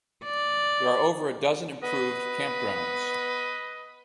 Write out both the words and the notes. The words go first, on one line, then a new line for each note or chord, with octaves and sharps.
There are over a dozen improved campgrounds.
D5
B3 B4 D#5